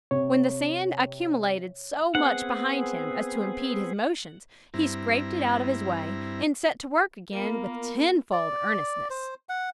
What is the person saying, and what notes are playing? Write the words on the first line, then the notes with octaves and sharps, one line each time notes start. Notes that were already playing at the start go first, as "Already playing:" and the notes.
When the sand accumulated so much behind him as to impede his motions he scraped it out of his way, and set to work again with tenfold earnestness.
C3 C#5
B3 C4 G#4 F#5
G2 C4 E4 A#5
A#3 B3 F4 A#4
D5
C5
F#5